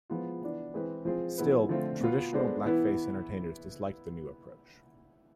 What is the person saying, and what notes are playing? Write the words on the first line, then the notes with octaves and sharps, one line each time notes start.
Still, traditional blackface entertainers disliked the new approach.
F3 G#3 B3 F4
E3 B3 D4
E3 G#3 C4 G#4 B4
F3 G#3 C4 F4 G#4
F3 B3 E4 G#4 B4
D3 F3 A3 C4 F4
B2 B3 F4
G#3 B3 D4 A4 C5
E3 B3 E4 B4